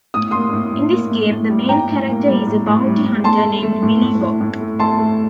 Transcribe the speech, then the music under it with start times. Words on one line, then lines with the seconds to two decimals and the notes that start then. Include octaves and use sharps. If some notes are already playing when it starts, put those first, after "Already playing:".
In this game, the main character is a bounty hunter named Billy Bob.
0.14 A2 D#6
0.31 A#3 C6 D#6
0.53 A2
0.72 A2
0.92 A#3
1.11 A2
1.30 A2
1.50 G3
1.69 A2 G5 A#5
1.89 A2
2.08 A#3
2.27 G3
2.47 A2
2.66 A2
2.86 G3
3.05 A2
3.24 A3 A5 C6
3.44 A3
3.63 A3
3.83 A2
4.02 A2
4.21 A2
4.41 A2
4.60 A3
4.79 A3 A5 C6
4.99 A3